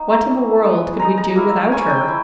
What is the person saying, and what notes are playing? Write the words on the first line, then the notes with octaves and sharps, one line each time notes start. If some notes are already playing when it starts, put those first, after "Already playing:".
What in the world could we do without her?
Already playing: A#3 D#4
A#5
A#3 C#4 E4
G#3 B3 D#4
G#3 D#4 A#5
A#5
A#3 E4
G#3 C#4 E4 G#5
G5
E4